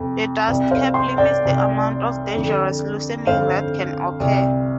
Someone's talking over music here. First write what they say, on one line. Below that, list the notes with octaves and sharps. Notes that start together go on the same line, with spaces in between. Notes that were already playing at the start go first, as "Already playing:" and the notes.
The dust cap limits the amount of dangerous loosening that can occur.
Already playing: F2 C3
C2 C3
C5 F5
G5 C6
D5 G5
C2 C3
F2 D3
F2 D3 C5 F5
C2 C3